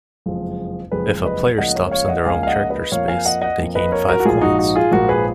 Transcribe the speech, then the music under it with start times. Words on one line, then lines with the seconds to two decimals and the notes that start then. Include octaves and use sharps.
If a player stops on their own character space, they gain five Coins.
0.26 F#1 F2 F3 G#3
0.91 F#1 F2 F3 G#3 G#4 B4
1.25 B4 D#5
1.58 C#2 C#3 F3 A#3 D#5 F#5
1.75 A#4 C#5
1.91 C#5 F5
2.08 D#5 F#5
2.25 C#2 C#3 F3 A#3 F5 G#5
2.43 F5
2.47 D#5 F#5
2.70 B4 D#5
2.92 F2 F3 A#3 C#5 F5
3.08 F5 G#5
3.25 D#5 F#5
3.41 D#5 F#5
3.59 F2 F3 A#3
3.75 B4 D#5
3.92 A#4 C#5
4.09 F#4 A#4
4.20 F#4
4.25 A#1 G#2 F3 F4 G#4
4.41 D#4 F#4
4.59 D#4 F#4
4.75 F4 G#4
4.91 A#1 G#2 F3 F#4 A#4
5.09 G#4 B4